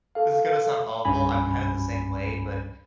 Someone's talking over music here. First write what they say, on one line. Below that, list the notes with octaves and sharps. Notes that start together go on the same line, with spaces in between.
this is gonna sound awful. I'm kinda the same way, but
A4 F5
C2 G2 C#4 G#5 B5